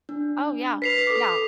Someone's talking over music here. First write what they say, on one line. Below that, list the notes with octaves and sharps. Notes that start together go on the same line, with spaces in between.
Oh yeah, yeah.
D4
B4 B6 C7 F7
A4 D6